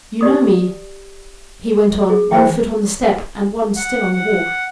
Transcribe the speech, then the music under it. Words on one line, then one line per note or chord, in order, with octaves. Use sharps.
"You know me?" he went on, one foot on the step and one still on the walk.
G4 D5 D#6
G#4
E3 C5 E5 G5
F#5
F#5